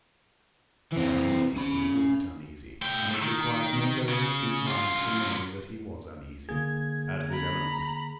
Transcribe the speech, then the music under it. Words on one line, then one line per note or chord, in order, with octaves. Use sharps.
He seemed uneasy--he looked uneasy, and it required no very astute mind to know that he was uneasy--out of his element.
E3 C4
C#4 B5
A3 G5
D#3
C#3
F#2 F4
D3 A#3 G#4 G#6
A#5 B5